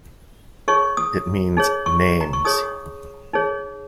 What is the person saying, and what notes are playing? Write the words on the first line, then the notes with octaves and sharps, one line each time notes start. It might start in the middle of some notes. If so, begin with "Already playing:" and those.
It means "Names".
D#4 G#4 C#5 C#6
D#6
D#4 G#4 C#5
C#6
A#5
C#6
D#4 G#4 C#5 D#6
D#4 G#4 C#5